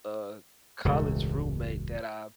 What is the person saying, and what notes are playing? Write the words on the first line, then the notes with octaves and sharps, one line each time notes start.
a college roommate that I
E1 C#2 A2 C#3